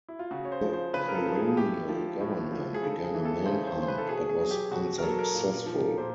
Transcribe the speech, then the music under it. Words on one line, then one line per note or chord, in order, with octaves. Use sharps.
The Colonial Government began a man-hunt, but was unsuccessful.
E4
F4
C#3 F#4
C#5
C5
F3
C5
C#3 B4
A#4
A4
F3
G#4
A2 G4
F3
A2
F3
G#4
C#3 A4
G#4
E3
A4
C#3 C5
C5
E3
C5
B4
A4
B2 G#4
G#4
F#3
G4
B2 F#4
A#4
F#3 A4
A#4
A#2
F3
A#2 C5